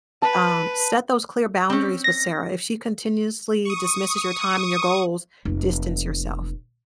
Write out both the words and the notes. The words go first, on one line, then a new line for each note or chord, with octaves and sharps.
Um, set those clear boundaries with Sarah. If she continuously dismisses your time and your goals, distance yourself.
B4 A5
C4 C#4
A#6
C#6 D#6
F1 A#3